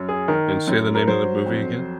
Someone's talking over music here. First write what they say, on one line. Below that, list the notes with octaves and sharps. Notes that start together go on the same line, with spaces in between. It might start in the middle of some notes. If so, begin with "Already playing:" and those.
And say the name of the movie again.
Already playing: F#2
G#4
D#3 A#4
F#2
A#4
F#3 C5
F2